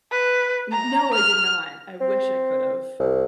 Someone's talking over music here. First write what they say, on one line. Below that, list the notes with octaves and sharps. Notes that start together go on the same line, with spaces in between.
N no, I did not, I wish I could have.
B4
A#5
F6
C4
C2